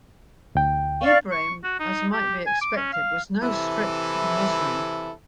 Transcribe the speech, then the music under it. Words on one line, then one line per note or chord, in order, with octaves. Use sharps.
Ibrahim, as might be expected, was no strict Muslim.
D2 G5
D5 F5 C#6
C#6
F#4
D#4
G4
G#5
D6
C#4
F5
C3 E3 E4 A4